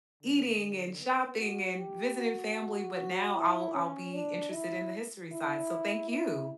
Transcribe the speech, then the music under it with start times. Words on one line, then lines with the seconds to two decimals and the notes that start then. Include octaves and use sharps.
eating, and shopping, and visiting family, but now I'll I'll be interested in the history side, so, thank you.
0.23 D3
1.00 B3
1.40 F#4
1.79 G4
2.19 F#4
3.35 E4
3.75 C#4
4.14 D4
4.53 E4
5.32 E4
6.10 E4